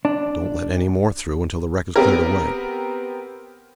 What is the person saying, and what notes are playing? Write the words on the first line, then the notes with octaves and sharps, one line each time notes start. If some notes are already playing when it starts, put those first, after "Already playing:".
Don't let any more through until the wreck is cleared away.
D4
B3 C4 G4 A#4